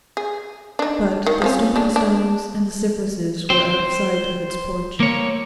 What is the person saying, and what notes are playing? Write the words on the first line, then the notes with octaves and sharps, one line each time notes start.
But the stooping stones and the cypresses were out of sight of its porch.
G#4
D4 D#4
D#3
F3 C4 C#4
G#3 D4
D4
C5 G5
A#3 C#5